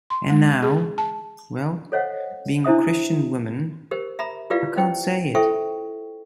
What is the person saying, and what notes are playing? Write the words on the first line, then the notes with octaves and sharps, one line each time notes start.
And now...well, being a Christian woman, I can't say it!
C6
G#3
G#4
A5
A4 C5 C#5 D#5 F5 F#5
D4 E4 C5 E5 D#6
G4 A#4 C5
E5 A#5 B5
E4 F4 G4 B4 D5 F5
C#4 D#4 C5 G5
E4 A4 C5 E5 G5 C#6